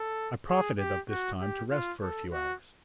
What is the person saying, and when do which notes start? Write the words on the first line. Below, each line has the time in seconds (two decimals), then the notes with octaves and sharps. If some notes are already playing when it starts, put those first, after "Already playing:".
I profited of this time to rest for a few hours.
Already playing: A4
0.49 G#4
0.79 G4
1.10 F#4
1.41 G4
1.71 F4
2.02 A4
2.33 F#4